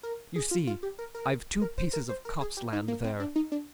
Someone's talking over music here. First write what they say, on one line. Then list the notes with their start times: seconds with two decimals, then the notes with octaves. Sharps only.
You see, I've two pieces of copse land there.
0.03 A#4
0.36 G#4
0.51 F4
0.67 F4
0.83 G4
0.99 A#4
1.15 A#4
1.62 A#4
1.78 C5
1.93 A#4
2.09 C5
2.25 A#4
2.41 G#4
2.57 G4
2.73 D#4
2.88 A#3
3.04 C4
3.20 D4
3.36 D#4
3.52 D4